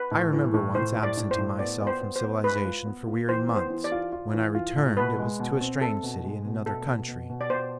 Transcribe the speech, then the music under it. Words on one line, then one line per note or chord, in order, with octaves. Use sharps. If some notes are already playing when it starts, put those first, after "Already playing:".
I remember once absenting myself from civilization for weary months. When I returned, it was to a strange city in another country.
Already playing: B4
A2
E3
A2
A2 C5
A2
D5
A2
C5
A2
B3 D5
B3
C5
B3
C5
B3
G#3 B4
F4
B3
F4
E3 C5
B3
C5
E3
D5
F4
F4
E3
F4
A2
B2 B4
G#3
B2
C4
C4 A4
B2
G#3
B2
B2 A4
B2
B2
B2
D5
B2 C5